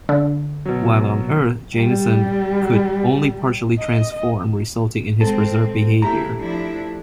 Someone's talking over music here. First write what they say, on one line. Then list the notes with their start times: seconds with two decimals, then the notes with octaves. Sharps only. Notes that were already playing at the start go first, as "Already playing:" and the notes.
While on Earth Jameson could only partially transform, resulting in his berserk behavior.
0.09 D3
0.66 B2 F#3
1.77 G3
3.79 D#5
5.21 G#3 C4 A4
6.02 A3 A#3 E4 G4 A#5
6.39 F3 D4 E4